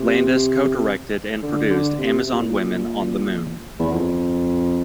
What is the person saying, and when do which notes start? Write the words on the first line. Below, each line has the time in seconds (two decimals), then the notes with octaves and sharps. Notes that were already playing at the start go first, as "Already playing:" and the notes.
Landis co-directed and produced "Amazon Women on the Moon".
Already playing: C3
1.43 D3
1.70 D3
1.98 C3
2.25 C3
2.33 A#2
2.40 A2
2.47 A#2
3.79 E2
3.92 F2